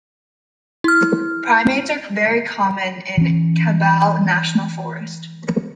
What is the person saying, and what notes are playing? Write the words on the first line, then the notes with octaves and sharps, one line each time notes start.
Primates are very common in Kibale National Forest.
E4 F6
E3 C#4